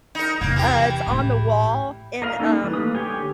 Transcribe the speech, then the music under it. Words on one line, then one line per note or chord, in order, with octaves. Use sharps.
uh, it's on the wall and, um
D#4 A#4
E2 C3 A#3
E3 G4
A1 A2
A#4 D#5 F5 A#5
A#3 C#4 D#4 A4
E3 G3
A3 A#3 B4 D#6
D3 G4 C#5 G5 G#5